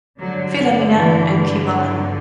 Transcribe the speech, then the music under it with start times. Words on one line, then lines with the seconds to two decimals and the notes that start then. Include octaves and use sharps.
Filomena, and Kiwalan.
0.19 G2 D3 F#3
0.96 E3